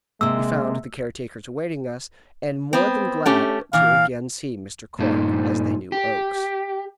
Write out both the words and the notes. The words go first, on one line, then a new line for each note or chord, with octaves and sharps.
We found the care-takers awaiting us, and more than glad to again see Mr. Clark, as they knew Oakes.
C3 G#3 A#3 E6
B3 C4
A3 C#4 G4
A#2 E3 F5
G2 A#2 D#4
G4